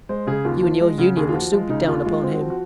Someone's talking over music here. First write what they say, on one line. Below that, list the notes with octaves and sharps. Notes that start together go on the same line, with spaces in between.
You and your Union would soon be down upon him.
G#3 C5
C#3 G#4
D#2 F4
F3
G#3
C#3 F#4
D#2 G#4
F4
F3 F#4
G#3 F4
C#3 D#4
D#2 F4
G#3 F4
C4
F#4
F3
F#4